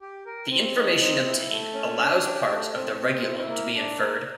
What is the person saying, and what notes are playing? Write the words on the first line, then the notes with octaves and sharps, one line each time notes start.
The information obtained allows parts of the regulome to be inferred.
G4
A#4
C4
D#4
C4
E4
A3
C#4
D4
G4
A3
C4
C4
E4
A#3
D4
A#3